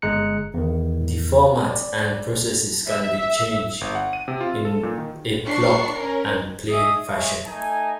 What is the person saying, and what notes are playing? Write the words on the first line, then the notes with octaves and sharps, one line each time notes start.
The formats and processes can be changed in a plug and play fashion.
G1 G#3 A#5 F#6 C#7
E2 D#3
D5
E5
G1
F#5
D#7
C3
F4
A4
A#2
D#3
D4 C#6 C7
C#4 A#4
G#4 D#5 E5 D#6
G#3 G#4 C#5 E5
A3 D#4 G#5